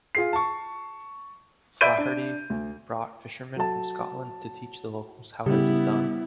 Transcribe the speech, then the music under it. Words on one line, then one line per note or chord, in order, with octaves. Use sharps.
Flaherty brought fisherman from Scotland to teach the locals how it is done.
F4 G#4 C7
A5 C#6
D5 E5 B5 G6 D7 D#7
D4
D2
F#3 A4 A5
C#3 G3 B3 E4